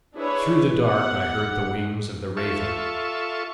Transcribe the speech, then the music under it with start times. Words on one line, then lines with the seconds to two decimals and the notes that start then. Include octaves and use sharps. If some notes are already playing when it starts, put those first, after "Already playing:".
Through the dark I heard the wings of the raven.
0.16 D4 E4 G#4 B4 C#5
0.85 B3 G4 F#5
2.37 F4 A4 E5 C#6